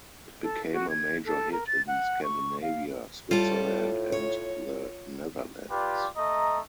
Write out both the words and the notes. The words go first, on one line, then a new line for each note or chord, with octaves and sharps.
It became a major hit in Scandinavia, Switzerland and the Netherlands.
A4
F#4
G#6
A4
A#4
A6
F#5
C#6
F5
A2 G3 F4 A4
C#5
F4 G4 B4 D5
A3 D#5 A#5